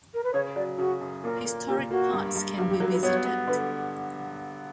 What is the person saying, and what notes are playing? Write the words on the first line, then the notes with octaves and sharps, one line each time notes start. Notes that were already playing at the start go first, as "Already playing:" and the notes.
Historic parts can be visited.
A#4
B4
C#3 C#5
F#3 D5
C#3 F#4
F#2
A#2 A#4
A#3
A#2 G4
A#3 F#4
G2
G2
G2 F#4
G4
F#3 A#4
B4
B3 C#5
B3
D3 B4